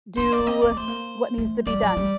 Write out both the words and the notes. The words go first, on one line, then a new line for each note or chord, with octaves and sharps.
do what needs to be done.
D4 C5
D5
A#3
C4 D#5
C4 D5
A#3
A3 C5
A#3
A3
G3 D5
F#3
G3